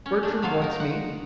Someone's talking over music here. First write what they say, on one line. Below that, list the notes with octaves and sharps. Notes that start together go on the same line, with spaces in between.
Bertram wants me.
C#4
A3 D4
C3 F#3 F4 F5
D#4 A#4
F#5